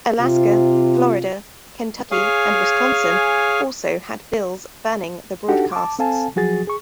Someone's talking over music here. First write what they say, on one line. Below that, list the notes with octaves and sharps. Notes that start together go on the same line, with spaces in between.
Alaska, Florida, Kentucky, and Wisconsin also had bills banning the broadcasts.
C3 F4
G#4 C#5 F5 G#5
D4 D#4 F#4 G4 A4 F#5
A5 D6
C4 A4 F5 G#5 A5
F3 F#3 F#4 G#4 A6
G#4 C#6